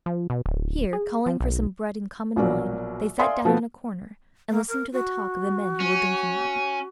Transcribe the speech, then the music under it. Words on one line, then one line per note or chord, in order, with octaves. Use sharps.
Here, calling for some bread and common wine, they sat down in a corner, and listened to the talk of the men who were drinking there.
F3
B2
D1
G#4
F3
B1
A#1 B2 F#3 A#3 D5
D5 E5 F5 G#5 C6 D#6
B2 F3 A3 B3
A#3
A#4
F#4
C#4